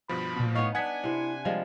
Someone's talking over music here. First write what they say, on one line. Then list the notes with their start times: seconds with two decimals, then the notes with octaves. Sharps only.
Oh man.
0.09 G2 B2 F3 B5
0.55 B3 D#4 C#5 F5
0.75 B3 D4 F#5 G#5 G#6 B6
1.04 C3 E4 C5
1.45 F3 G3 G#3 F5